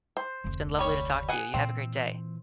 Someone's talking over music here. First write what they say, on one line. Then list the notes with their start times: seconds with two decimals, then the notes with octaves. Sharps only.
It's been lovely to talk to you. You have a great day.
0.17 C5
0.44 F1 D2
0.79 G3 C#5
1.29 G#4 F#5 G#5
1.54 A#2 E3 C4